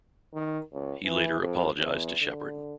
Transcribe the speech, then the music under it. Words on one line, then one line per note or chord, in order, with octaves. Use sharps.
He later apologised to Sheppard.
D#3
C#2
E3
F2
E2
D3